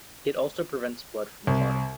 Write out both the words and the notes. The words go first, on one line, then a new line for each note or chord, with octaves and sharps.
It also prevents blood from clotting.
C2